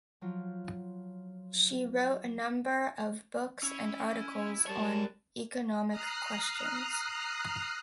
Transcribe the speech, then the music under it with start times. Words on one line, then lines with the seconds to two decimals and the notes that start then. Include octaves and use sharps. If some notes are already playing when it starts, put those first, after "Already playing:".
She wrote a number of books and articles on economic questions.
0.21 F3 F#3 F4
3.63 C#4 E4
4.67 G3 A#4 C#5 A5
5.90 A#5 D#6 F6 F#6 C7